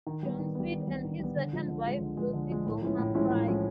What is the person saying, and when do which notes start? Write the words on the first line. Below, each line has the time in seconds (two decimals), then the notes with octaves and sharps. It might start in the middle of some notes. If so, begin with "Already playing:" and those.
John Speed and his second wife Lucy Gilmer Fry.
0.07 D#3
0.23 G3 B3
0.39 D#3
0.55 G3 B3
0.72 D#3
0.87 G3 B3
1.04 D#3
1.20 G3 B3
1.36 D3
1.53 F3 G#3
1.69 D3
1.85 F3 G#3
2.01 D3
2.17 F3 G#3
2.33 D3
2.50 F3 G#3
2.66 A2
2.82 F3 G#3 C#4 E4
2.98 A2
3.14 F3 G#3 C#4 E4
3.30 A2
3.47 F3 G#3 C#4 E4